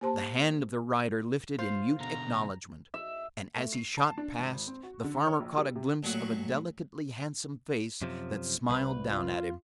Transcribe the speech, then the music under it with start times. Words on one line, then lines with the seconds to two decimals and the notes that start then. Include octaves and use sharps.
The hand of the rider lifted in mute acknowledgment, and as he shot past, the farmer caught a glimpse of a delicately handsome face that smiled down at him.
0.01 A#3 G4 C5 A5 C6
1.59 F4 C5
2.00 B2 D3 A#5
2.94 E5
3.56 A3
3.73 C7
3.97 A5
4.18 D4
4.39 G#1
4.67 C4
4.83 F#4
5.04 D3
5.27 C#5
5.40 A#1
5.57 G3
5.75 C3
6.03 A1 A#2 F#3 F#4 C#6
8.02 F#2 C3 F3
8.70 C2 B4
9.10 F4